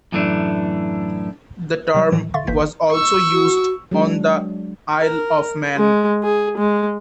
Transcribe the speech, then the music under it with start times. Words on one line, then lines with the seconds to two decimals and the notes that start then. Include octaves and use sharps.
The term was also used on the Isle of Man.
0.12 F#2 A2 E3 A3 D4
1.95 C3 F#3 G3
2.12 A2 D#3 E3 F#3
2.34 D3 E5 F5 C6 C#6 A6
2.47 G1 E3 A#3 G6 B6
2.92 C#6 E6
3.32 F#4
3.91 F#3 G#3 D4
4.99 A#4
5.77 G#3
6.24 G#4
6.58 G#3